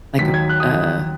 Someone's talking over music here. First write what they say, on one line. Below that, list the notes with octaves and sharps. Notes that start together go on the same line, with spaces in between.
like a, uh,
D#2 D#3 F#3 B6
G#6
F#6
D#6